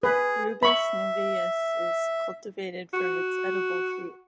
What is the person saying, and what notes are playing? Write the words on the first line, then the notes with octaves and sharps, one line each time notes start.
"Rubus niveus" is cultivated for its edible fruit.
G#4 B4
E5 B5 C#6
F#4